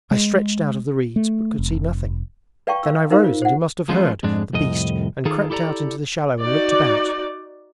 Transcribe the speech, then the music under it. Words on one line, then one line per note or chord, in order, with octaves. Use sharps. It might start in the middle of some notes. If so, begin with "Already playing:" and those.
I stretched out of the reeds but could see nothing; then I rose and he must have heard, the beast, and crept out into the shallow and looked about.
G#3
A3
F1
B4 D5 F5 G5 A5 C#6
F5 E6
D#4 A#4 C5 F5
F4
C5 F#5
F3 G#3 A3 B3 C#4 F4
F2 G#2 G#3 D4
C2 F2 A2 D#5
D#3 D#4 F4 G#4 A4
E4 G4 A4 D5 A#5
D#4 F#4 D5